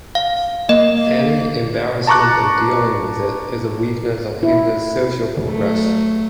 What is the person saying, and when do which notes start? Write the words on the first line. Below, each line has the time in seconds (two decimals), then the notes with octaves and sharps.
Any embarrassment in dealing with it is a weakness that hinders social progress.
0.15 F5
0.69 A#3 D#5
2.07 A5 A#5 C#6 D6 F#6
4.43 E4
5.45 F#3 A3